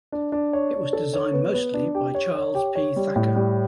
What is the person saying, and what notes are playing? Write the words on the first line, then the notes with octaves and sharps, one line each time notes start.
It was designed mostly by Charles P. Thacker.
D4
D4
C#5
D4
A4
C#5
B3
B3
D4
G4
C#5
C#5
G4
C#5
G3
A2
G3